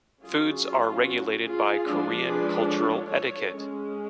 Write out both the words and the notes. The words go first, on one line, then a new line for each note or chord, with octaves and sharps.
Foods are regulated by Korean cultural etiquette.
F#3 C#4 F4 G#4
F4
F#4
F4 G#4
F3 G#3 D4
G#4 B4
A4 C#5
A4 C#5
G#3 C#4